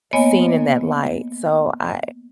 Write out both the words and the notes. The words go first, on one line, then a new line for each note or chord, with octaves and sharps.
seen in that light, so I
A#3 B3 C#5 D#5 G#5